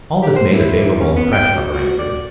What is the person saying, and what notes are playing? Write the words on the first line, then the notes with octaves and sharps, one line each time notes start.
All this made a favorable impression on the Rangers.
G4
C5
E4
E3
C#4
B3
G5
F#4
F#4
D5